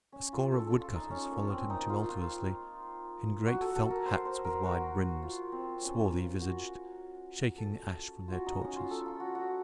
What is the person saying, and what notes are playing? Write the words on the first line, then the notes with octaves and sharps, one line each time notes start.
A score of woodcutters followed him tumultuously, in great felt hats with wide brims--swarthy visaged--shaking the ash from their torches.
C#4
F4
A4
A4
F4
D#4
C#4
A#3
C4
D#4
F4
F4
F#4
A4
A4
A#4
C5
C5
A#4
F#4
F4
C4
C#4
F4
F#4
A4
F4 F#4
D#4
C#4
F4
A4
F4
F#4
F#4